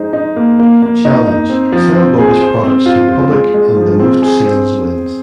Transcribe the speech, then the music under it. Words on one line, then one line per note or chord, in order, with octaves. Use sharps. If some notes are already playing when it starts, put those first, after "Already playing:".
Challenge: Sell bogus products to the public and the most sales wins.
Already playing: G#3 D#4 C5
D#4
A#3
A#3
A#3
D#4
D#4
C4
F3
C4
G#4
C5
C4
F4
F4
G#3
G#3
F3
C4
G#4
C4